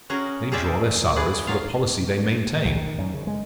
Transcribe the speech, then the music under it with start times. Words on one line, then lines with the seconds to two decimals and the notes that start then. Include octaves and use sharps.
They draw their salaries for the policy they maintain.
0.10 C#4 F#4 G#4 A#4
0.52 G#4 A#4 C5 D5 E5 G5
1.16 G#4 B4 D5
1.47 F#3 F4 F5
2.65 A#1
2.77 D#3
2.98 F#2
3.14 C#3
3.27 G#3